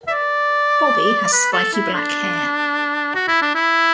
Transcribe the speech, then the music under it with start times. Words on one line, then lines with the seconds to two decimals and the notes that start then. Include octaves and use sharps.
Bobby has spiky black hair.
0.07 E5
0.11 D5
1.33 B4
1.53 A4
1.73 E4
1.94 D4
3.15 F#4
3.28 E4
3.42 D4
3.55 E4